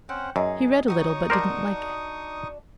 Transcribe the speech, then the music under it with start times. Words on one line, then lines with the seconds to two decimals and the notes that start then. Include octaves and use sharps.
He read a little but didn't like it.
0.09 C4 C#4 C5 F#5
0.36 F#2 D#4 G#4
0.88 D#4 F#4 G#4 C#5 C#6 D#6
1.30 D4 F#4 A#4 C5 D5